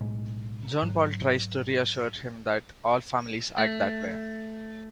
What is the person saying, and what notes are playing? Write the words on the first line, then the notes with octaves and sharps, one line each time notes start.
John Paul tries to reassure him that all families act that way.
B1 A2 G#3
G#2 F#3
A3